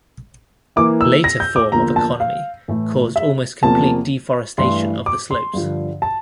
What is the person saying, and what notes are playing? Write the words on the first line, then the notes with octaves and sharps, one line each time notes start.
Later form of economy caused almost complete deforestation of the slopes.
E3 A#3 E4 D6
E6
A#6
G6
D6
E2 D3 F3 A#3 F4 A#5
A5
F5
A2 E3 A3 E4
E5
E2 C3 F3 A#3 A5
G2 E3 A3 E4 C6
D6
C6
G2 D3 F3
A5